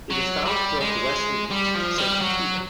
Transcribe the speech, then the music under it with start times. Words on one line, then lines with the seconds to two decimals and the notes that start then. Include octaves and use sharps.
It is found throughout the West Indies, except Cuba.
0.10 F#3
0.45 G3
0.80 G#3
1.51 G3
1.74 F3
1.97 G3
2.21 F#3